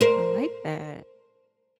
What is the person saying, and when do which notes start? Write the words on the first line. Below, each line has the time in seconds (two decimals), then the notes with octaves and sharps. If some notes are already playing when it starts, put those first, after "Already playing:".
I like that.
0.01 A#4 C5